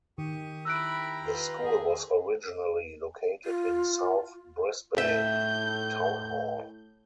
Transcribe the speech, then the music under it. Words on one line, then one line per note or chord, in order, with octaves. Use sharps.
The school was originally located in South Brisbane Town Hall.
D#3 G4 C#6 D#6
E4 G4 A#5 B5 E6 F#6 D7
F4 B4
G#4 A4
F4
A2 E5 G6